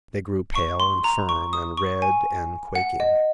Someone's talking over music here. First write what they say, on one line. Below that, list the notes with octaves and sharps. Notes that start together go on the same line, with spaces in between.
They grew pale and firm, and red and quaking.
C#6
C6
A#5
C#6
D#6
C#6
G#5
F#5
D#5